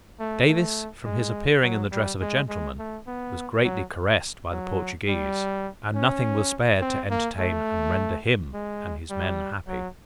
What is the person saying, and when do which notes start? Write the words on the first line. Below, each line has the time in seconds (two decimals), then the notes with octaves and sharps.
Davis, from his appearing in the dress of a gentleman, was greatly caressed by the Portuguese, and nothing was spared to entertain and render him and his men happy.
0.19 A3
0.49 A3
1.05 G#3
1.62 F#3
1.91 G3
2.21 G#3
2.49 G#3
2.79 A3
3.07 B3
3.64 F#3
4.51 F#3
5.08 G3
5.95 C#4
6.81 C4
7.10 A#3
7.39 A3
8.54 G#3
9.10 G3
9.68 F#3